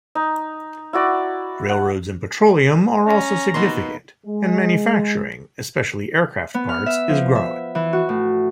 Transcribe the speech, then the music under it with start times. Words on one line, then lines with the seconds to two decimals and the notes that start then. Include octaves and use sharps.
Railroads and petroleum are also significant, and manufacturing, especially aircraft parts, is growing.
0.15 D#4
0.93 E4 F#4 D5
1.69 F#5
3.07 C#4 A#5
3.54 B2 A#3 D#4 B4 C6
4.26 G#3
6.54 B3
6.69 F6
6.86 E5
7.09 F3
7.35 E5
7.75 E3
7.93 F#4
8.09 A2